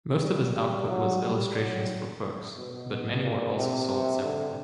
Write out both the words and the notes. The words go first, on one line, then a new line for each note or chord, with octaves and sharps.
Most of his output was illustrations for books, but many were also sold separately.
G3
G3
F#3
G3
F#3
B2
A#2
C3
D3